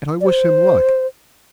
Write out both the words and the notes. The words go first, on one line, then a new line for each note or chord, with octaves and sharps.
And I wish him luck.
D5
C5